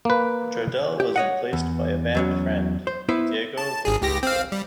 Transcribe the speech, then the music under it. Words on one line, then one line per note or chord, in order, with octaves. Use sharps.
Jardel was replaced by band friend Diego Verduzco.
A#3 B4
G4
C#5 D#5 F#5
E2
E2 F#3 C#4
C5
B3 E4 B4 C5
A5
G#1 G#4
C#2 G4 A#6
C4 F5
G3